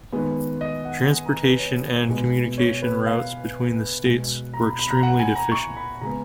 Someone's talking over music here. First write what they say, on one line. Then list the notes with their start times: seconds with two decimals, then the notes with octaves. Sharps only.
Transportation and communication routes between the states were extremely deficient.
0.12 D#3 G#3 B3
0.61 D#5
0.85 F#5
1.11 G#5
1.26 A#5
1.43 B4
1.59 C#5
2.08 B2 G#3 B3
2.58 C#5
2.82 B4
3.06 F5
4.05 B2 G#3 B3
4.54 A#5
4.66 B5
4.79 B5
4.91 A#5
5.03 F#5
5.19 G#5
5.35 A#5
5.52 C#6
5.77 B5
6.01 C#3 G#3 B3 A#5